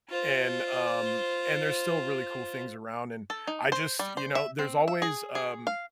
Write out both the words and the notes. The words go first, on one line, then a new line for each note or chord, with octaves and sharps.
And, um, and there's still really cool things around, and I just you know, there's always, um,
F4 C5
A4
D#4
C5
G3
C5
E5
C4
E5
G#4
G#4
F5